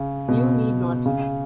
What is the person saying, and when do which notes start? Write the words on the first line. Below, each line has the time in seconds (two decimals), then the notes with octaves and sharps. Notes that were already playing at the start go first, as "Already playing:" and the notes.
You need not.
Already playing: C#3
0.28 B2
1.06 C#3